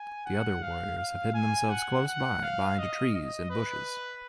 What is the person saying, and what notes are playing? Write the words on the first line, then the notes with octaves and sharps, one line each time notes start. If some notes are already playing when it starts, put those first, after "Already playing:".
The other warriors have hidden themselves close by behind trees and bushes.
Already playing: G#5
F#5
F5
F5
G#5
F#5
F#5
F5
D#5
D#5
B4